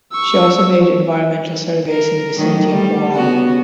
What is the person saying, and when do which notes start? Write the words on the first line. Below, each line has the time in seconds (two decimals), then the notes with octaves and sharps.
She also made environmental surveys in the vicinity of Oahu.
0.12 C#6 E6
1.89 A#4
2.37 D#3 F#3 A3
2.69 G3 A3
3.14 C#3 B3 F#4